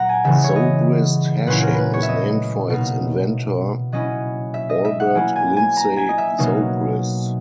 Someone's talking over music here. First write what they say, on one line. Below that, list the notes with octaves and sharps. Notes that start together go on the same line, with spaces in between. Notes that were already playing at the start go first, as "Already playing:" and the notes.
Zobrist hashing is named for its inventor, Albert Lindsey Zobrist.
Already playing: A#2 F#3 F#5 A#5
G#5
C#3 E3 G#3 E5
C#5
D#5
A#2 F#3 C#4 E4 B4
A#4
B4
C#5
E5
D#5
B2 A#3 D#4
F#3 C#4 E4 D#5
E5
D#5
E5
F#5
F#3 A#3 E4 G#5
G#5
G#5
A#5
G#5
D#5
E5
B2 F#3 A#3 D#4